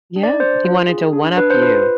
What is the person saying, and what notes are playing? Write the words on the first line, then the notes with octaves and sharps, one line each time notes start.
Yeah. He wanted to one up you.
D4
D5
D4 C5
F4
G#4
D4
D4 B4
C5
F4 B4